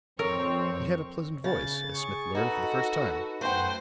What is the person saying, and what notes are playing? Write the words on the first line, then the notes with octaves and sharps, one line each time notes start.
He had a pleasant voice, as Smith learned for the first time.
F2 C4 A#4 C#5
C#3 A6
G#4 C#6
D#4 F#4 A4 B4
F#2 A3 B4 C5 F#5 G5